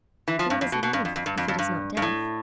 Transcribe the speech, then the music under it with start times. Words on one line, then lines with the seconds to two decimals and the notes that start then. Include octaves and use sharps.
Love is life, if it is not death.
0.28 E3
0.39 F3
0.50 G2
0.61 F2
0.72 B2
0.83 B2
0.93 G2
1.05 F2
1.16 F2
1.26 G2
1.37 F2
1.48 F2
1.59 G2
1.97 G2
2.02 A2